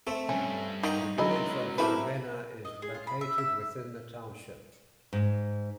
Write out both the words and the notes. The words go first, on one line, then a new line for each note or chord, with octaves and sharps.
The Village of Ravenna is located within the township.
A3 C4 A4
C2 G2 C#4
D#3 D#4 F#5 A#5
C#2 F#3 B3 E4 D#5 C6
G3 A3 C4 E4 A#4 B4
D#5
G#4
F4
B5
E5
E5
G#2